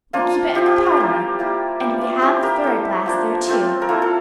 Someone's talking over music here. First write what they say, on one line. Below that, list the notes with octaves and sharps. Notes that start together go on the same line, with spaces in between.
We keep it in the parlor and we have the fairy glass there, too.
F3 A#3 D4 F4
F3 C4 F4 G4
G4
G4
F4
A#3 E4
G3 A#3 E4
G3 D4 F4 G4
F4
G3 C4 E4 G4
G4 A#4
A3 E4
F3 A#3 D4
F3 A3 C4 F4
A#4
A#3 E4 F4 A4
A4